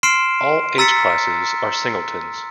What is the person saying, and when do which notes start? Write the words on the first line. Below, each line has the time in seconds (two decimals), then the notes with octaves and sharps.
All "H"-classes are singletons.
0.03 C6 F6 C7 D7 E7
0.78 A#5 E6 A6 B6 C#7